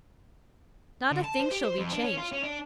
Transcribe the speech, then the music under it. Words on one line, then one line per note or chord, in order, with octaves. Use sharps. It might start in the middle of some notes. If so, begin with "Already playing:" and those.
Not a thing shall be changed.
D3
A5
C5
G4
C5
F2
D4
C#4
F4
C#4
D4